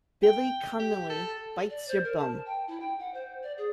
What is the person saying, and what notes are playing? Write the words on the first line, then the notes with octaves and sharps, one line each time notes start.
Billy Connolly Bites Yer Bum!
G5
G4
A4
D5
C5
A#4
A5
G5
E4
G5
F#5
C5
D5
G#4